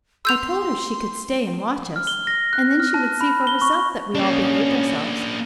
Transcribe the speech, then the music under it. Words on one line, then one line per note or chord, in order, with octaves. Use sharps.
I told her she could stay and watch us, and then she would see for herself that we all behaved ourselves.
C6 E6 G6 F7
F6
G7
A#6
F#6
F6
A5
B5
G7
C#6
A#3 C#4 D4